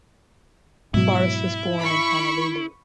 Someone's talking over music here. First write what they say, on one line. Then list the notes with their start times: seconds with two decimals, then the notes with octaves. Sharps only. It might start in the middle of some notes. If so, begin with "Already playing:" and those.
Forest was born in Honolulu.
0.94 G#2 B2 F#3 E4
1.79 B5 C#6